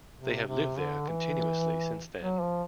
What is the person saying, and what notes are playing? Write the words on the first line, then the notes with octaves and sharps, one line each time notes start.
They have lived there continuously since then.
C3
C3
D3
E3
F#3
F3